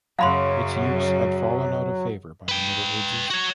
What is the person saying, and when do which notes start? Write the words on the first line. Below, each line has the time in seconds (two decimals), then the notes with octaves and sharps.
Its use had fallen out of favour by the Middle Ages.
0.19 F#2 C#3 F#3 F5 B5 C6
2.49 B4 G5
3.31 F#4 C#5